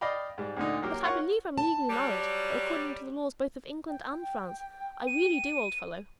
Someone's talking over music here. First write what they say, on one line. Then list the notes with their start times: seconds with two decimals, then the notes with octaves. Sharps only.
But I believe I'm legally married according to the laws both of England and France; I really do, old fellow.
0.01 D5 D#5 F5 G5 B5
0.38 G#2 G3
0.57 D2 A#2 D3 D#4
0.82 F#3 A#3 G4
1.04 F4 A#4 C#5 F#5 C#6
1.58 A5
1.90 F#3 G3
3.89 G5
5.07 D#7